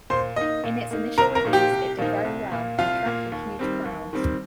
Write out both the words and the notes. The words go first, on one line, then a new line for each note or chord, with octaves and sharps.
In its initial release, it did very well and attracted huge crowds.
A#2 C5 C6
A#3 D#4 D#5
A#2
A#3 D#4
C2 A#4 A#5
A#4 A#5
A#2 F3 A#3 D#4
G4 G5
C2
A#2 F3 A#3 D#4
C2
A#2 A#3
C2 F4 F5
A#2 A#3
D#2
D#3 G3 C4
D#2
D#3 G3 C4